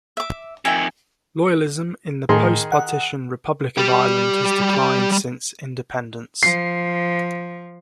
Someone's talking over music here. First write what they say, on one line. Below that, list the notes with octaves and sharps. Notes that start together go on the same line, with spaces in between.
Loyalism in the post-partition Republic of Ireland has declined since independence.
E5 D6
F2 D#3 E5 G5 G#5
A2 D#3 G#4 C6
F#5
G3 G4
F3 C7